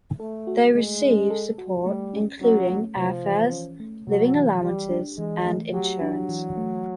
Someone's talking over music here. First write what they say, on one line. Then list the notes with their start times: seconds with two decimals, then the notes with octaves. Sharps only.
They receive support including airfares, living allowances and insurance.
0.20 A3 A4
0.47 F#4
0.75 G#3 A3
1.03 C#4
1.30 A4
1.58 F#4
1.86 G3 A3
2.13 C#4
2.41 F#3 C#4
2.69 A3
2.97 C3 F3
3.25 E3
3.52 C#4
3.80 A3
4.07 C3 F#3
4.35 E3
4.62 G3 G4
4.90 D4
5.18 E3 G#3
5.46 A3
5.73 F#3 G4
6.01 D4
6.29 E3
6.57 A3